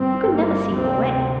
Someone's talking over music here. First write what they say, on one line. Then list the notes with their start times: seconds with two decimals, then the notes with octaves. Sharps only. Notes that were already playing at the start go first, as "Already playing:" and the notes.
You can never see your way!'
Already playing: G1 G2 C4
0.34 A#3
0.73 D2 C3 C4